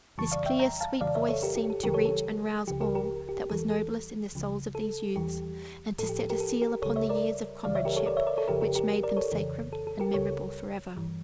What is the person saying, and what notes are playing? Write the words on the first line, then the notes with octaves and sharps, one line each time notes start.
This clear, sweet voice seemed to reach and rouse all that was noblest in the souls of these youths, and to set a seal upon the years of comradeship which made them sacred and memorable for ever.
F2 C#3 E3 G3 A5 C#6
D5 F5
E5 G5
G5 A#5
F5 A5
F2 C#3 E3 G3 D5 F5
C#5 E5
A4 C#5
G4 A#4
G4
A4
D2 C#3 E3 G3 G4 A#4
A4 C#5
A4
C#2 C#3 F3 G4
G4 A#4
G4 A#4
G4
E2 E3 G3 A4
A4
C#2 C#3 F3
A4
E2 E3 G3 G4
A2 F3 A4
G4
A4
G4 A#4
A4
G4 A#4
C#2 C#3 G3 A4 C#5
C#5 E5
A#4 D5
C#2 C#3 E3 G3 D5 F5
C#5 E5
G4 A#4
A4 C#5
A#4 D5
C#5 E5
A#4 D5
A4 C#5
F2 C#3 F3 G4 A#4
G4 A#4
G4 A#4
A#4 D5
A4 C#5
F2 C#3 E3
A4
A4
G4 A#4
C#2 C#3 G3 A4 C#5
G2 E3 G3